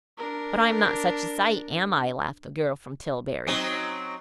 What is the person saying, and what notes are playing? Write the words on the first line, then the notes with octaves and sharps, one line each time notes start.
"But I'm not such a sight, am I?" laughed the girl from Tillbury.
D4 A#4
F#3 C4 D#4